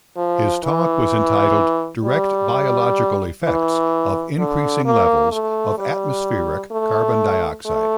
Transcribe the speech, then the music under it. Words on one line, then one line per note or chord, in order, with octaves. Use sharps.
His talk was entitled Direct Biological Effects of Increasing Levels of Atmospheric Carbon Dioxide.
F3
E3
G3
E3
D3
A#3
A3
G3
A3
A3